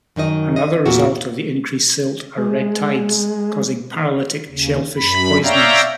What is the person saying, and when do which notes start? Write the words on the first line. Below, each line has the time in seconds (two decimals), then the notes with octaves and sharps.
Another result of the increased silt are red tides, causing paralytic shellfish poisonings.
0.16 F#2 D#3 D#4 D#5
0.56 D#5
0.86 E2 A#2 B3 E4 F#4
2.38 G#3
4.48 D#2 C#3
4.96 F#2 B5
5.44 C#5 D5 E5 F5 G5 A#5